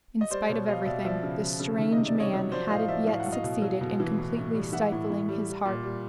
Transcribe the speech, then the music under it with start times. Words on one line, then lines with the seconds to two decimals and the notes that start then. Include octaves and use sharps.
In spite of everything, this strange man hadn't yet succeeded in completely stifling his heart.
0.21 D#5
0.30 G3 C5 D5
0.49 B2 C#5
0.68 G3 D#5 F5
0.86 B2 D5 E5
1.05 F3 D5 E5
1.23 C#3
1.42 F3
1.60 C#3
1.78 D#3 E5
1.92 C3 D#5
2.07 D5
2.15 C3
2.20 C#5 D#5
2.34 F#3
2.52 F3 C5 D5
2.70 A2 D#5 F5
2.88 F3 D5 E5
3.07 A2 F5
3.20 F#5
3.26 F#3
3.32 D#5 F5
3.44 B2
3.62 F#3
3.81 B2
4.00 E3
4.18 A2
4.36 A2
4.54 G3
4.73 E3 E5 F#5
4.92 A2
5.10 A2
5.29 G3
5.47 G3
5.65 A#2
5.83 G3